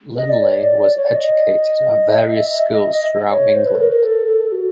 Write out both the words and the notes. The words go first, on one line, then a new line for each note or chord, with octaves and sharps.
Linley was educated at various schools throughout England.
D#5
D5
C#5
D5
C#5
D5
D#5
E5
D#5
E5
D#5
E5
D#5
D#5
C#5
C5
B4
A4
A#4
A#4
A4
A4
F#4